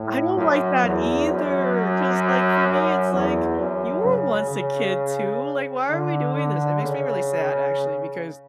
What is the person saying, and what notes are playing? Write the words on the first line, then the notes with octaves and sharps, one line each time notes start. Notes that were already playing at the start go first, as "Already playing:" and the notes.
I don't like that either, 'cause, like, for me it's, like, you were once a kid too, like, "Why are we doing this?" It makes me really sad actually, because,
Already playing: A2
F#2
E2
F#2
F#2
E2
F#2
C#3
C#3
D3
D3
C#3